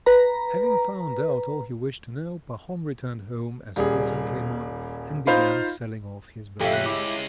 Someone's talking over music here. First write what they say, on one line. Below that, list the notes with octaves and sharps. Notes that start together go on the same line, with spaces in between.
Having found out all he wished to know, Pahom returned home as autumn came on, and began selling off his belongings.
B4 A#5
D#1 G3 G#4
D#4 F4 C5 F5 B5
F2 G#3 C#4 G4 A4 E5 F5
F#6 B6
E4 D6